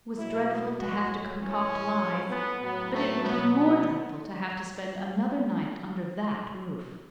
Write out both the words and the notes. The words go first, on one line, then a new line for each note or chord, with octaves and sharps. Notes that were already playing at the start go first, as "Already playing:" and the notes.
It was dreadful to have to concoct lies, but it would be more dreadful to have to spend another night under that roof.
B2 F#3 E4
B3
A2 F#3 F#4
A2 E3 C#4
A2 F#3
B3
A2 F#3 B3
A3
B2 F#3 B3
B3